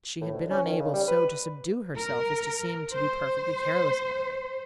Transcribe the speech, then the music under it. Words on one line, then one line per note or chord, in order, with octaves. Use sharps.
She had been unable so to subdue herself as to seem to be perfectly careless about it.
A2
D2
C#4
D#3
C#3
G3
B4
A#4
C5